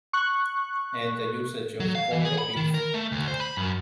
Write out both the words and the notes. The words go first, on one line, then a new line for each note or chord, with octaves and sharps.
And the usage of pork or beef.
C#6 F#6
F#3
F5
E3
G#4
B5
D#3
A#4
A3
D2
C5
B5
F#2